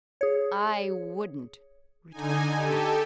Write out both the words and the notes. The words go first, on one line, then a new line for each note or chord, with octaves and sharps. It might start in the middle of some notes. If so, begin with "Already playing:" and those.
"I wouldn't!" retorted the cat.
G#4 C#5
D3 D#4 G#5
G4 A4